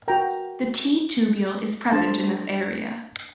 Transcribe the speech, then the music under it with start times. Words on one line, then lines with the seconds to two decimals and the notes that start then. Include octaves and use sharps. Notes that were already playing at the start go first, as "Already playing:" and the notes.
The T-tubule is present in this area.
0.08 F#4 A#4 G5 A#5
1.92 D4 A4 C5 A5 C6